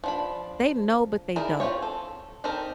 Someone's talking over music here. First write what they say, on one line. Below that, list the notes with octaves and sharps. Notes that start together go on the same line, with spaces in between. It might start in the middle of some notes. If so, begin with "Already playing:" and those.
they know, but they don't.
F3 D4 B5
D#4 E4 G#4 A#4 D5
C4 F4 G4 C#5
A4
C4 D#4 G4 A4 A#4